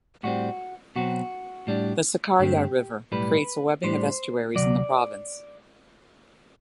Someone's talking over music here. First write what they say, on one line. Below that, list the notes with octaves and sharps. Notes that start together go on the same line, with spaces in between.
The Sakarya River creates a webbing of estuaries in the province.
A2 G3 C4 F#4
B2 F#3 C4 F#4
A2 G3 D4
G2 D3 A3 C4 G4
B1 A2 G3 B4
A2 G3 D4 C5
D2 C3 F#3 D5